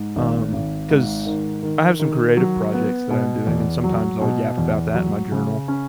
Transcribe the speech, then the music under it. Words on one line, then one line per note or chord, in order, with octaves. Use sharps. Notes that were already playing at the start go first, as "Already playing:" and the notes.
Um, 'cause I have some creative projects that I'm doing, and sometimes I'll yap about that in my journal,
Already playing: G#2
G#1
G#1
G#2
D#3
D#3
D#3
F#3
B3
B2
E2
F#3
B2
E2
F#3
C#3
C#4